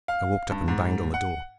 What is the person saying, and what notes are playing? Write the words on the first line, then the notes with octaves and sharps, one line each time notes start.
I walked up and banged on the door.
F5
G2
G#2
F#5